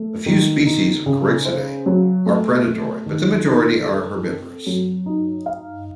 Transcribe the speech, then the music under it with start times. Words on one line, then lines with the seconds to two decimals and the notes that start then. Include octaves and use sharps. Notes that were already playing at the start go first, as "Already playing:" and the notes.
A few species of Corixidae are predatory, but the majority are herbivorous.
Already playing: A3
0.26 D#3
0.66 D#4
1.06 C#3
1.45 C5
1.86 F#3
2.26 A3
2.67 A3
3.06 D#3
3.46 D#4
3.86 A4
4.26 C4
4.66 F#3
5.06 D#4
5.46 F5